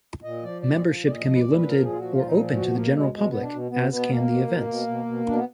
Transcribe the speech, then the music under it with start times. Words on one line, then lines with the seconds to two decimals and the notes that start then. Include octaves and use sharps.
Membership can be limited or open to the general public, as can the events.
0.23 A#2 D#5
0.43 F3 D5
0.62 A#2 D5
0.82 F3
1.01 A#2
1.06 D5
1.11 D#5
1.20 F3
1.35 B4
1.39 A#2 D5
1.54 F3 B4
1.68 A#4
1.78 A#2
1.83 G#4
1.92 F4
1.98 F3 F#4
2.12 A#2 F4
2.26 D#4
2.36 F3
2.55 B2 F#4
2.74 B2 A#3
2.94 B2 G#3
3.13 B2 G#3
3.28 B3
3.33 B2
3.42 D4
3.51 B2
3.71 B2 B3
3.90 B2 B3
4.09 B2 A#3
4.28 B2
4.48 B2
4.67 B2
4.87 B2
5.05 B2
5.25 B2 D4
5.36 B3